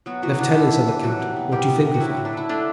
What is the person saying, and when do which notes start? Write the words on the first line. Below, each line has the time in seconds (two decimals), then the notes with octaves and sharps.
"Leftenant," said the captain, "what do you think of her?"
0.06 F#3 B3 F#4
0.22 E3 F#3 F#4
0.38 E3 D4
0.55 E3 E4
0.71 E3
0.88 E3
1.03 E3 F#3 F#4
1.20 C3
1.36 B3
1.52 C3 G3 G4
1.69 B3
1.85 C3
1.94 F#4
2.00 F#3 E4
2.17 F#3
2.25 D4
2.33 F#3 E4
2.49 A3 D4